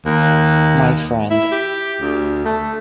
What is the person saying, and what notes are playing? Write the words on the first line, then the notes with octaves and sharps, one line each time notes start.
My friend.
D#2
E4
G4
D2
A3